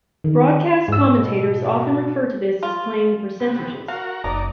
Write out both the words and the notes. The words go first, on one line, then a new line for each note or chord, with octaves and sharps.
Broadcast commentators often refer to this as "playing the percentages".
D#3
G#2 E6
B2
F4
C3 B3
F#4 A#4 F5
F#1 D#4 D5 A#5